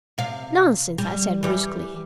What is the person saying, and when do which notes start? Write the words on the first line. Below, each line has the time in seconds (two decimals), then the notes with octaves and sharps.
"Nonsense!" I said bruskly.
0.18 C3 F5
0.98 G3
1.43 E3 G3